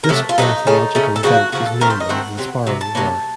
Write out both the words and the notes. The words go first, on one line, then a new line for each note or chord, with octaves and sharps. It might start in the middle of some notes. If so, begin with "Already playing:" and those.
This ornithological event is known as The Sparrow War.
A#4
C3 F#3 A3 A4
F4
C3 F#3 A3 D#4
C#3 A3 C#4
C#3 A3 C#4
A4
C#3 F3 A#3 F#4
C#3 F3 A#3 F#4
A4
D#3 A3 C4 A#4
C5
D#5
D#3 A3 C4 F#5
C3 F#3 C4
C3 F#3
A5
C3 F#3 A#3 C#4